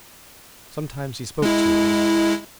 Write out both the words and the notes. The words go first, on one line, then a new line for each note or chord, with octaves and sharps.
Sometimes he spoke to him.
G#3 E4